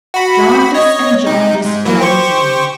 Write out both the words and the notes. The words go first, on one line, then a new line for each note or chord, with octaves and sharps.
Jarndyce and Jarndyce drones on.
F#4 B5
C#5 D#5
C3 D#4
G#2
E3 F#3 A#3
G4 C5 C#6